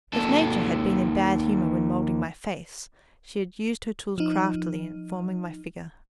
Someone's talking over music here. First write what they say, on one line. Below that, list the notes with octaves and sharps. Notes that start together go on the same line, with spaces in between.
If Nature had been in bad humour when moulding my face, she had used her tools craftily in forming my figure.
D#2 A4
F3 D#4